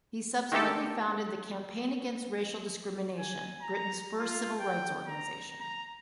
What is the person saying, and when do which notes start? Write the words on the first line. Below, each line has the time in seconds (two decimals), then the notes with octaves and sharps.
He subsequently founded the Campaign Against Racial Discrimination, Britain's first civil rights organization.
0.52 D#3 G#3 A3 G4 A4
3.18 G#5
3.61 A#5
4.19 F4
4.60 G5
5.07 A#5
5.60 A#5